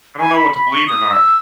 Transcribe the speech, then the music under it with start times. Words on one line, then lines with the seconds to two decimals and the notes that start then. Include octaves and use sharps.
I don't know what to believe or not.
0.19 G#5
0.35 B5
0.54 B5
0.71 C#6
0.87 D#6
1.11 E6